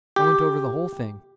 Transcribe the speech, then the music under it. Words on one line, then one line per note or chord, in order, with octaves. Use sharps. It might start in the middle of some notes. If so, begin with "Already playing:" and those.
I went over the whole thing.
G4